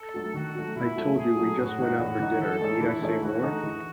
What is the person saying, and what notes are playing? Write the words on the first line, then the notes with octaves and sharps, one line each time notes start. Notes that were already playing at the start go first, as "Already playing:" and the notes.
I told you we just went out for dinner, need I say more?
Already playing: A4
F#3 A3
D#3 F#4
F#3 A3
B2 E4
F#3 A3
B2 G#4
F#3 A3
A2 F#4
E3 G#3 D#4
A2
E3 G#3 D#4
E3 A4
A3 D#4 G#4 C#5
E3 E4
A3 D#4 G#4 C#5
E3 F#4
A3 D#4 G#4
E3